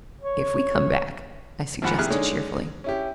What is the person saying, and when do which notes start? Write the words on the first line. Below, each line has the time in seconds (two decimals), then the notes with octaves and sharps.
"If we come back," I suggested cheerfully.
0.21 C#5
1.82 D#2 G#2 F3 F#5 B5
1.98 C2 C3 G4 G#4 F6 F#6
2.10 D3 G#3 C#4 D#4
2.84 C#4 E4 G4